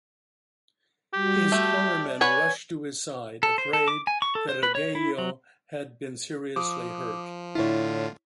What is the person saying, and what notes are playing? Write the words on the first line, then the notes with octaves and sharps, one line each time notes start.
His cornermen rushed to his side, afraid that Arguello had been seriously hurt.
G3 F#4 G4
A3 E5 F6
D5
B4 C#5 F#5 G#5
A4
C5
A4
D6
G#5
C#6
A4
C5
B4
C#5
E4
F#3
F3 D6 D#6
A2 D3 E4 F4 C#5